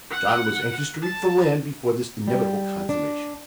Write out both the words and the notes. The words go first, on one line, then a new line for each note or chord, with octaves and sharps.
John was anxious to reach the land before this inevitable consummation.
F#5
A5
G3
D4